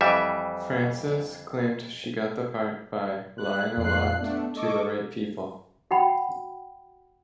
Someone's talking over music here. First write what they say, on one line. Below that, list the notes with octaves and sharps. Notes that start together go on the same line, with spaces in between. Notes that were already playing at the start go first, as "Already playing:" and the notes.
Francis claimed she got the part by "lying a lot, to the right people".
F2 E3 G3 E5
F#6
F2 A#2 F4 F#6 C7
A3 B3 D4
A4 D#5 C#6 D6
F#4 F#5 G5 B5